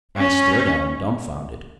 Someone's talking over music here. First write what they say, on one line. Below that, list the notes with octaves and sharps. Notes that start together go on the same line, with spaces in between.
I stared at him dumfounded.
C#4